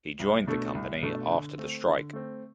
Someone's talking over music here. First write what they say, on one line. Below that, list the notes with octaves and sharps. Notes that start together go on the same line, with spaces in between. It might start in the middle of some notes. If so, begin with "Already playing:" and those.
He joined the company after the strike.
C2
B2 A3 D4 A4
C2
B2 A3 D4 A4
D3
A3 C4
D3
A3 C4